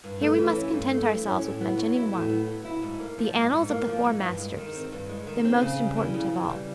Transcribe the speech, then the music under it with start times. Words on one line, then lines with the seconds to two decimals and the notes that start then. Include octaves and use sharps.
Here we must content ourselves with mentioning one, the Annals of the Four Masters, the most important of all.
0.04 G2
0.21 A3
0.38 E3
0.55 C#4
0.73 G2
0.90 A3
1.07 E3
1.26 C#4
1.42 A2
1.61 B3
1.77 F#3
1.96 E4
2.13 A2
2.29 B3
2.47 F#3
2.65 E4
2.82 G#2
3.00 A#3
3.18 F3
3.34 G#2
3.53 G#2
3.69 A#3
3.87 F3
4.04 G#2
4.22 G2
4.40 G#3
4.57 D#3
4.75 C4
4.92 G2
5.09 G#3
5.27 D#3
5.45 C4
5.61 C#3
5.79 G3
5.96 E3
6.14 C#3
6.32 C#3
6.50 G3